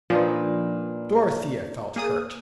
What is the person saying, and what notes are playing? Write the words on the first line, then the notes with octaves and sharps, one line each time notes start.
Dorothea felt hurt.
A#2 F3 A#3 D4 D#4 B4
A#3 G#4 D#6